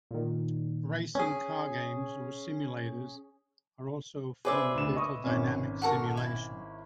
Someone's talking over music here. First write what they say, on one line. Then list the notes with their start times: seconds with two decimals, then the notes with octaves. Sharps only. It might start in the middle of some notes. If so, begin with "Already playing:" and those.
Racing car games or simulators are also a form of vehicle dynamics simulation.
0.11 A#2 D#3
1.15 C#4 G#4
4.45 G#4 B4 C5 D5 E5
4.75 D2 E7
4.95 D#5 C#6 D#6
5.24 G#1 C#4
5.82 F#4 A4 A#4
6.17 E4